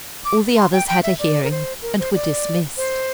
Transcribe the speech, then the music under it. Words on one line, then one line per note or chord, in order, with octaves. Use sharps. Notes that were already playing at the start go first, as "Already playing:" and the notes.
All the others had a hearing, and were dismissed.
D6
C6
G5
G5
E5
D5
A#4
C5
A#4
C5
D5
C5